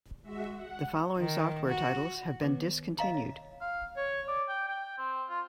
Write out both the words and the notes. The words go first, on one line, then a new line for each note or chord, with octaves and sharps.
The following software titles have been discontinued.
G#3 F#4 E5
F#5
D#3
F#4
D#3 B3 B4
D#5 F5 A#5
C#5
F5
C#5
D5
G5
G5
C4
F4